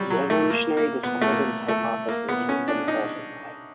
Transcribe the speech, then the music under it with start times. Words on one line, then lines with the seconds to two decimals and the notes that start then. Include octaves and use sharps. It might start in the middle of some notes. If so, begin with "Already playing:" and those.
The evolutionary discordance hypothesis has been falsified.
Already playing: F#3 G3
0.10 F#3
0.30 A3
0.50 A#3
0.77 A#3
1.03 B3
1.21 A3
1.29 A#3
1.68 A3
2.09 A#3
2.29 B3
2.49 C#4
2.68 D4
2.88 D#4